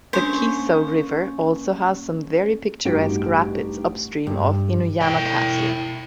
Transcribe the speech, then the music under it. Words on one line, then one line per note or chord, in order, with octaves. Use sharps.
The Kiso River also has some very picturesque rapids upstream of Inuyama Castle.
G#3 A#3 C#4 D4 C5 C#6
A1 G2 D#4 F#4 G4 D7
G2
E4 G5